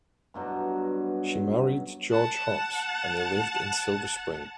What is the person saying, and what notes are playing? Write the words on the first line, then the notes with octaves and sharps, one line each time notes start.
She married George Hopps and they lived in Silver Spring.
G2 B2 F#3
F#5 A5